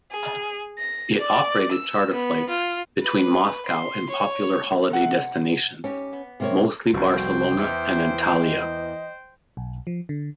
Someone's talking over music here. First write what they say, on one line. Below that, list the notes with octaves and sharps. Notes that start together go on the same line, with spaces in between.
It operated charter flights between Moscow and popular holiday destinations, mostly Barcelona and Antalya.
G#4
A#6
D5
E6
B3
F4
B4
C6
C#5
C3 F#5
G#2 C#4 G4
B3
C3 A#3 C#5
F1 C2 F#4 C5 G5
E2 E3 E5
D#5
B1
F3
D3